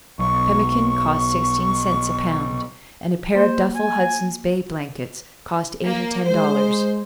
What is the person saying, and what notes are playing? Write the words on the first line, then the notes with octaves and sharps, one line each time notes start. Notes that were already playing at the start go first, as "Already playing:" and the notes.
Pemmican cost sixteen cents a pound, and a pair of duffel Hudson's Bay blankets cost eight or ten dollars.
B1 C#6
A#3 C5
G#5
A#3
G#3 C5